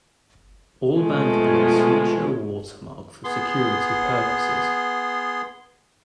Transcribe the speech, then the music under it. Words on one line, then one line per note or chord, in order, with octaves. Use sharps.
All banknotes feature a watermark for security purposes.
B2 F3 G#3 A3
B3 G#4 C6